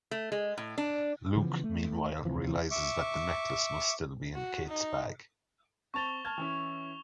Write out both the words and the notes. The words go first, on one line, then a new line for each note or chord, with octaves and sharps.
Luc, meanwhile, realizes that the necklace must still be in Kate's bag.
A3
G#3
A2
D4
C#3 E3 F3 B3
A3
D2 C3 E3 F3
E5 C#6 D6
F#4
D#4
C4 A5 C#6 A6 F7 G7
A5 F6 G#6
E3 C#4 E4